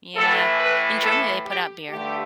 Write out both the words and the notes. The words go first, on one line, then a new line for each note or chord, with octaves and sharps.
Yeah. In Germany, they put out beer,
A2 E3 A3 A4
B4
A4
G4
G2 D3 A3 G4